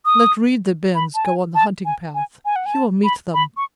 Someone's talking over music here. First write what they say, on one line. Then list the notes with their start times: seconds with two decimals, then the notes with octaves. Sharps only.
"Let 'Reed-that-bends' go on the hunting path; he will meet them."
0.05 D#6
0.95 B5
1.15 A5
1.25 G#5
1.55 A5
1.85 G#5
2.15 G#5
2.45 G#5
2.56 F#5
2.66 G#5
2.74 A5
3.04 B5
3.34 B5
3.57 C#6